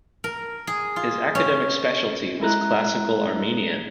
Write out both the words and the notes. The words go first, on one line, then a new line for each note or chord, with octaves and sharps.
His academic specialty was Classical Armenian.
A#4
G#4
F4
C#4
G#3 E4 A#5 F#6